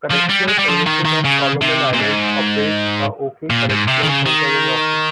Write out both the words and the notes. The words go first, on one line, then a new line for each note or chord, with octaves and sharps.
Correctional Services of Solomon Islands operates the Auki Correctional Centre in Auki.
F3
G3
G#3
G3
F3
D#3
D#3
C#3
C3
A#2
G#2
A#2
G#2
C3
D#3
C#3
D#3